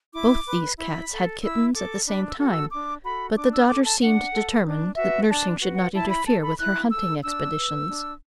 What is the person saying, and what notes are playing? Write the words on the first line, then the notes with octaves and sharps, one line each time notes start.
Both these cats had kittens at the same time, but the daughter seemed determined, that nursing should not interfere with her hunting expeditions.
E4 D6
B4
E4 B5
A4
E4 E6
A4 D6
D4 B5
E6
F#4 A4
E6
D4 D6
F#4 A4 B5
D4 D6
E6
A4 D6
A5
D4 F#5
A4
D4
F#4 B4 E5
D4 A5
F#4 B4
F#5
E4 A5
B5
A4 A5
B5
E4 F#6
A4 E6
D4 E6
B4
D4